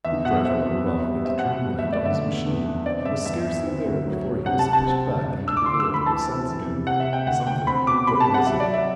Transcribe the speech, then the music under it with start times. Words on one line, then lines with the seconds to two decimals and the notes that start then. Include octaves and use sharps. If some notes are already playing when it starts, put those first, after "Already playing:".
Hoopdriver rode off into Dreamland on his machine, and was scarcely there before he was pitched back into the world of sense again.--Something--what was it?
0.05 E2 E5
0.25 B2 F#5
0.45 C4 E5
0.65 E2
0.85 B3
1.05 G3
1.25 C4 E5
1.39 F#5
1.45 B2
1.65 G2
1.79 E5
1.85 A3
1.93 D5
2.05 D3 E5
2.25 E2
2.46 E2
2.66 D4
2.86 C4 D5
3.05 G2 E5
3.26 E2 E5
3.46 E3
3.66 C4
3.85 D2
4.06 F#3
4.26 F#3
4.46 C3 F#5
4.59 A5
4.67 C3
4.73 A5
4.87 C4
5.07 D2
5.26 D4
5.47 D4 E6
5.57 D6
5.66 D2 C6
5.80 E6
5.86 D2
5.94 B5
6.06 E3 A5
6.27 C4
6.46 E3
6.67 C3
6.87 C3 F#5
7.00 E5
7.07 C3
7.13 G5
7.26 D2 F#5
7.47 D2 G5
7.67 C4 B5
7.87 B2 D6
8.07 C3 B5
8.20 A5
8.27 C3
8.34 F#5
8.47 F#3 E5
8.60 D5
8.67 F#3
8.74 E5